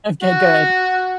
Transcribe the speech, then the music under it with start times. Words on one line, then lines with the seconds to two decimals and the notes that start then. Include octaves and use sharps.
Okay, good.
0.22 F#4